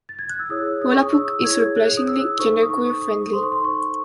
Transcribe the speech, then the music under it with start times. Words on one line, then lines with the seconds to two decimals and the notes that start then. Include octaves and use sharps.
Volapük is surprisingly genderqueer-friendly.
0.09 A6
0.19 G#6
0.30 F#6
0.39 E6
0.49 E4 G#4 C#5 D#6
0.82 D#6
0.91 C#6
1.02 D#6
1.13 E6
1.44 E4 G#4 C#5 G#6
1.76 F#6
1.97 D#6
2.08 E6
2.39 D#4 A4 C5 C#6
2.63 D#6
2.70 C#6
3.02 D#6
3.33 D#4 A4 C5 C6
3.43 C#6
3.52 C6
3.64 C#6